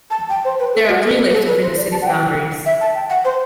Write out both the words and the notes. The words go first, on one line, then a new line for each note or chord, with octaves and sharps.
There are three lakes within the city's boundaries.
A5
G5
C5
B4
A4
F#4
A4
B4
A4
B4
C5
D5
A5
F#5
G5
E5
A5
G5
F#5
C5